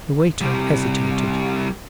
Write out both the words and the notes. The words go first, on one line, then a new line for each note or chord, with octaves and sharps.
The waiter hesitated.
C3 G3